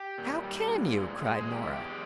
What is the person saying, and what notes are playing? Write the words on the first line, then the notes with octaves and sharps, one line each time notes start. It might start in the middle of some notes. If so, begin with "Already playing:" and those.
"How can you?" cried Nora.
Already playing: G4
A#2
G3
A#2
G#3
G#3
E2 G#4
G4
E2 E4
G4
G#3